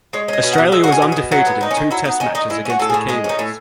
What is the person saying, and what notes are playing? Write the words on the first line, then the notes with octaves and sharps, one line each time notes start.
Australia was undefeated in two test matches against the Kiwis.
G#3 C#5
C#4 D#5
B2
F#5
B2
G#3 E5
F#4
C#4 G#4
B2
G#4
B2
F#3 F#4
B3
D#3 D#4
C#4
D#3
F#3 E4
B3 D#4
D#3 C#4
D#3 D#4
G#3 E4
C#4 F#4
A2 A4
G#4
A2
G#3 G#4
C#4 D#4
A2